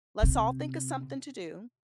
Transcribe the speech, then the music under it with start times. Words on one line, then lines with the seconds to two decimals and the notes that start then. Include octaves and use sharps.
let's all think of something to do,
0.23 C3